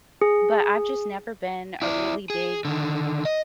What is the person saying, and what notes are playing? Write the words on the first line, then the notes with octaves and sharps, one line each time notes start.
But I've just never been a really big
G#4
E4 D5
G#4
D3 D#3
D#5